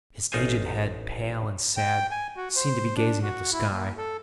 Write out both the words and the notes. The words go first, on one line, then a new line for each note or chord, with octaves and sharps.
His aged head, pale and sad, seemed to be gazing at the sky.
A1 D#4 F4 C5 G#5
G5
G#5
F#4
C5
D4
F#4
E4
A#3
A4